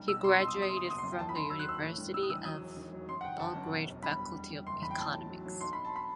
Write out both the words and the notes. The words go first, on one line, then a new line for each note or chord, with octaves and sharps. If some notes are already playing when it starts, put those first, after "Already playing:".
He graduated from the University of Belgrade Faculty of Economics.
Already playing: B1 G3
B2 E6
B2 C6
B2 C6
D#6
F#3 C6
D#6
F#1 C6
D#6
C6
F#1 D#6
C6
F#2
G5
D#2 A5
B5
D#3 C6
F#3 E6
F#6
D#2 E6
A2
G3
G3 E6
D#6
E3 E6
F#3 D#6
E1
D#3
F#3
F#2 C6
F#5
G1 G5
G1 A5
F#2
B2
E1
G3 B5
E1
G3
G3
F#1 C6
E2 B5
G5
A2 A5
B1
F#3
F#3
B1 C6
B1 B5
A5
B5